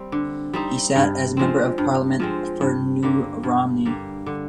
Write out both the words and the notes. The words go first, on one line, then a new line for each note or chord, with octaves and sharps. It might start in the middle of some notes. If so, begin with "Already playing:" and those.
He sat as Member of Parliament for New Romney.
Already playing: G3 C4
D3
G3 C4 D#4
G2
F3 G#3 C4
G2
F3 G#3 C4
G2
D3 G3 A#3
G2
D3 G3 A#3
D3